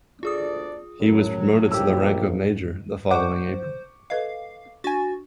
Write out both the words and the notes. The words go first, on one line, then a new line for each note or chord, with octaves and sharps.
He was promoted to the rank of major the following April.
D2 D4 F4 G#4 D5 D#6
F#2 A2 F#3
A#1 G4 E6
C5 D5 F#5 C#6 D6
A4 B4 D#5 F5
D4 F#4 G#5 A6